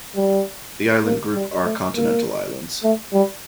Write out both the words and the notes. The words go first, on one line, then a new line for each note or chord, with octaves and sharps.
The island group are continental islands.
G3
A#3
G3
A3
A#3
A3
G3